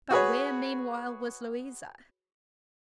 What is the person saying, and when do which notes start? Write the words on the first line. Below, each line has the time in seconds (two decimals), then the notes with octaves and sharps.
But where, meanwhile, was Louisa?
0.11 F#4 G#4 B4 C#5